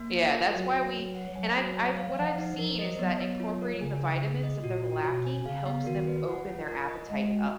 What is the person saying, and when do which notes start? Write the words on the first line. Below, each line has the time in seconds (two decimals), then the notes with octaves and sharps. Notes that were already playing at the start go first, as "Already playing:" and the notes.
yeah, that's why we and I've I've what I've seen is that incorporating the vitamins that they're lacking helps them open their appetite up.
Already playing: A#3
0.12 F4
0.33 A#4
0.53 F#3 F#4
0.74 F#4
0.94 B4
1.15 F#5
1.35 F#3 G#5
1.56 F#4
1.76 C#5
1.97 F5
2.17 F3 F#5
2.38 D#4
2.58 F3 A#4
2.79 D#5
2.99 F#3 B3
3.20 B3
3.40 F4
3.61 A#4
3.81 C#3 G#5
4.02 D#4
4.22 G#4
4.43 D#5
4.63 A#2 F#4
4.84 F#4
5.05 B2 C#5
5.25 G#5
5.46 C#3 F5
5.66 B3
5.86 D#3 F#4
6.07 B4
6.28 F#5
6.48 F4
6.68 A#4
6.88 D#5
7.09 G#3 F#5
7.30 F#4